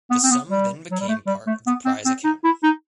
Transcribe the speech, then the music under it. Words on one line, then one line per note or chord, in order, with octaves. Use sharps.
The sum then became part of the prize account.
B3
C4
B3
G3
F#3
G3
A3
G3
A3
B3
C4
C4
D#4
E4
D#4